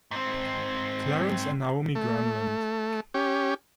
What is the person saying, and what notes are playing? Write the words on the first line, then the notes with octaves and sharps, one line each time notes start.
Clarence and Naomi Granlund.
G#2 C4
A3
C#4 G4